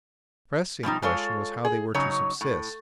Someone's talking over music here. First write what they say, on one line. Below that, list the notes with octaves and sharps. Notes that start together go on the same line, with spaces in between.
The pressing question was how they were to subsist.
B2 F3 G3 D#4
G#3 F4 A4 C#5
G#4
C#3 F#3 D#4 C#5
A2